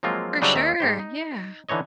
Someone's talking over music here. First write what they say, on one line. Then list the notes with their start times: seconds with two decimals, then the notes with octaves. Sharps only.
For sure, yeah.
0.03 F3 F#3 G#3 A#3 C4 F4
0.42 C#3 F#3 G3 C4 D4 D#4
0.55 D#2 D#3 E5 A#5
0.80 G#2 G4 C5
0.99 D#4
1.69 D3 E3 D#4 C#5 D#5